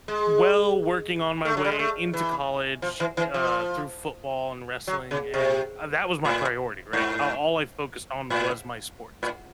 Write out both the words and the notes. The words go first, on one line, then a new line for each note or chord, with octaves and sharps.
well, working on my way into college, uh, through football and wrestling, and uh that was my priority, right? Uh, all I focused on was my sports.
G#3
A3
F#3
G3
G#3
A3
E3
F3
E3
E3
F3
F#3
C#3
C3
A2
G#2
A2
A2